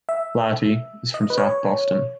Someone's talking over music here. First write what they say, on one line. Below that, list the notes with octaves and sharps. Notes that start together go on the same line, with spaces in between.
Flaherty is from South Boston.
E5
D#5
B4
C#5